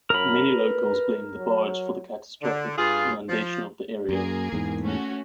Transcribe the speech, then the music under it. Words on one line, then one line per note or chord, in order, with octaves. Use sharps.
Many locals blame the barge for the catastrophic inundation of the area.
F#2 A#4 B5
B4
F#3
D3
G2 F4 G#4
F3
F#2 A#3 G#4 A#4
E2 G#2
A3 C#4 F#4